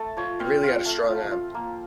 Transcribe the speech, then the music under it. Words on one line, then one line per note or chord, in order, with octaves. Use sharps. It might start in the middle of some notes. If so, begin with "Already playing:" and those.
He really had a strong arm.
Already playing: A3 A5
F3 C#5
C4 F5
F4 F5
A3
F3
F4
A#3